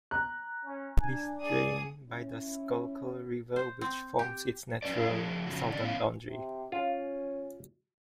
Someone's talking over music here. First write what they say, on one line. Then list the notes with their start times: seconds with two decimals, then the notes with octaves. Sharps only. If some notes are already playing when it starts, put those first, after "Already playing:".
It is drained by the Schuylkill River which forms its natural southern boundary.
0.11 A#5 F#6
0.65 C#4
1.00 D4 G#5
1.40 G#4 D5 D#6
2.09 C#4 E4
3.56 C5
3.81 C4
4.19 G4
4.83 C#4 B4 D5
4.97 C#4 E4 F5
5.09 A2 F3 G#4
5.47 A2 C#3 F3 F#4
5.69 D#3 F#3 C#4 D5
5.81 B3 C#4 F5
6.29 C3
6.72 C#4 F4